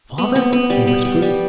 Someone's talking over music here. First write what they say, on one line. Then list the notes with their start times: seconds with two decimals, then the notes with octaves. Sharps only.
"Father!" he whispered.
0.18 B3
0.36 B3
0.53 B3
0.70 G3
0.87 B3
1.05 G3
1.22 G3